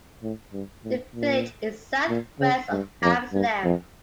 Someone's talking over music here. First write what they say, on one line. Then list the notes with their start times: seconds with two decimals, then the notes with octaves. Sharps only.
The village is southwest of Amsterdam.
0.23 A2
0.53 G2
0.84 A2
1.15 A#2
2.09 A#2
2.40 C#3
2.71 G2
3.02 F2
3.33 G2
3.64 F2